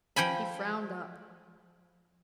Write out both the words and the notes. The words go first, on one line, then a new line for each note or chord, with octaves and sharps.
He frowned up.
F3 G5 G#5 B5